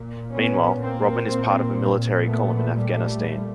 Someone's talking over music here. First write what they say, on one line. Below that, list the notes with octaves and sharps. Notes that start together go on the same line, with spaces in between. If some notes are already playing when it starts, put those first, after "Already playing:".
Meanwhile, Robin is part of a military column in Afghanistan.
Already playing: A#2
B3 C#4
A#3 C4
A#2
A3 B3
G3 A3
A#2